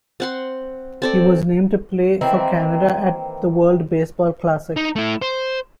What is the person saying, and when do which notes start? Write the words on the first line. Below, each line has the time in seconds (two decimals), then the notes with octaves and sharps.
He was named to play for Canada at the World Baseball Classic.
0.20 C4 F#5 C6
1.02 C4 A4 D5
2.21 D#3 E3 A#3 C4
4.77 D#4
4.96 A3 E4
5.22 C5